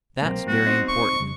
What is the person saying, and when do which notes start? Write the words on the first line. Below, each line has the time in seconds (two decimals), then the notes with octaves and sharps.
That's very important.
0.22 C2 B2 F#3 A#3 C4
0.48 F#3 A3 B3 F#4
0.66 C4 D#4
0.88 C#6
1.20 F2 C#3 G3